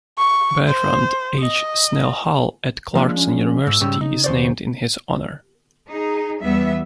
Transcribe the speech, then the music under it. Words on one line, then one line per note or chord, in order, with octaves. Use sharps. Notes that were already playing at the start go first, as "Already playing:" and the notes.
Bertrand H. Snell Hall at Clarkson University is named in his honor.
C#6
C5
D#5
F3 G#3 A#3 D4
C#4
G#2 E6
G#2 C#3 G3
C#3 D#4
D#2 C5 D5
D#4 G#4
E2 G3 B3 E5